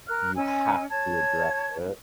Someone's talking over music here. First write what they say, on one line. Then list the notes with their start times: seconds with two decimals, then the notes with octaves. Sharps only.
you have to address it.
0.09 A#4 F6 F#6
0.36 C#4 D#5 G#5 E6
0.89 C#5 A5 G#6